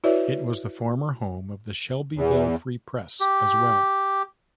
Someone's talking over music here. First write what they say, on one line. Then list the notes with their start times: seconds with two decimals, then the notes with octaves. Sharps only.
It was the former home of the "Shelbyville Free Press" as well.
0.04 E4 F#4 B4 C#5 D5 E5
2.16 E2
3.20 G4